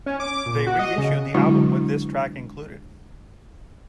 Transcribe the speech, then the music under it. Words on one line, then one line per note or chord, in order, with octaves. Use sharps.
They re-issued the album with this track included.
C#4
D6
A#2
F#4
D#5
C#3
D3 F#3 G#3 D4 E4 F#4